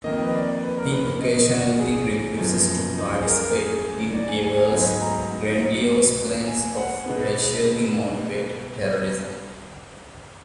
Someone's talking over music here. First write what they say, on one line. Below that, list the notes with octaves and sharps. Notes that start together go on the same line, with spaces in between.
He occasionally refuses to participate in Evers' grandiose plans of racially motivated terrorism.
F2 D#3 A#3 D#5
B4
D5
B4
A#4
B4
D#5
F#4
G#4
F#2 F3 B3
D#4
G#4
A#4
A#4
G#4
D5
G#5
G#5
G#5
G#2 F#3 B3 G#5
A#5
G#5
F#5
B2 G#3 B3